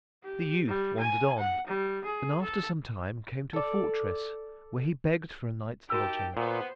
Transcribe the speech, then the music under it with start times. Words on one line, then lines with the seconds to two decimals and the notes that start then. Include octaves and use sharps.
The youth wandered on, and after some time came to a fortress where he begged for a night's lodging.
0.24 G4
0.68 G3
1.00 G#5
1.38 F#5
1.67 G3
2.05 G#4
2.42 A4
3.53 A4 D5
5.90 D#4 F#4 G4 A#4 G5 A5 E6
6.37 A#2 B3 C5